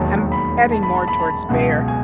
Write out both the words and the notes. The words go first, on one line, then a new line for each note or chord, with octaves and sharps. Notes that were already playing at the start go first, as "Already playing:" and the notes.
I'm heading more towards bear.
Already playing: E1 D#2 D#3 F#3 A5
B5
A5
B5
A5
B5
A5
C#2 B2 F#3 F#5
G#5